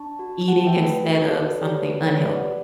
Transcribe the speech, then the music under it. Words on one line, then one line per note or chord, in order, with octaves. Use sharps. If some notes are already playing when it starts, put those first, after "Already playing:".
eating instead of something unhealthy?
Already playing: D4 A5 C#6
F#4
F#4 F#5 A5
E5 G5
A3
B4
F#4 A4
A4
B4
F#4
A4
D5
G4 A4 C#5
B4
D4
A4 C#5
G4 B4 D5
D5 F#5
G4